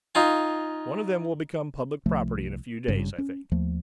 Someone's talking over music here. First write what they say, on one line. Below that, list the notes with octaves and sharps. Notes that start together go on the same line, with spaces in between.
One of them will become public property in a few days, I think.
D#4 F4 G#5
C2 F3 A3
G#1 G2 C#3
C#4
D#2 F3 A3